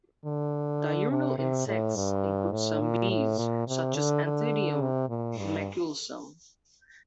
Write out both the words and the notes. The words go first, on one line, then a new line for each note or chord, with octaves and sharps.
Diurnal insects include some bees, such as Anthidium maculosum.
D3
C3
C3
A2
G2
A2
A#2
A2
A#2
C3
D3
D3
C3
A#2
G2